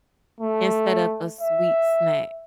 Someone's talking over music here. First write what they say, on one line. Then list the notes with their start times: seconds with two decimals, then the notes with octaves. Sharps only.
instead of a sweet snack,
0.41 A3
1.41 E5